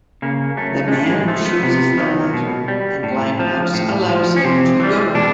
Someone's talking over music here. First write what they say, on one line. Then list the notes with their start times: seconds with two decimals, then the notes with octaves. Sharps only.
The man chooses the latter and Limehouse allows him to go.
0.22 C#3 A#3
0.57 F#3 A3
0.88 G#3
0.92 A2 A3
1.10 G#3
1.28 F3 A3
1.45 B3
1.63 C3 B3
1.97 D#3 F#3
2.34 B2
2.68 G3
3.03 A2
3.39 F3
3.74 A2
4.09 F3
4.36 C#4
4.44 C3 C4
4.80 E3 G3
5.15 B2 D4